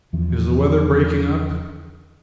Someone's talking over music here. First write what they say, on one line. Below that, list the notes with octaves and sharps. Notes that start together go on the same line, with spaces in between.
Is the weather breaking up?
E2 E3 F3 C#4